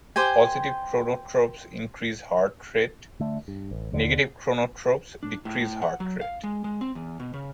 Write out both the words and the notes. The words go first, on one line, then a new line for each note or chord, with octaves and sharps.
Positive chronotropes increase heart rate; negative chronotropes decrease heart rate.
G4 C5 G5 G#5
D3 A3
G2
A1
D#2 D3
D4
A2
A2
F#5
F#3
F5
G#3
G#3
C4
E2
B2
C#3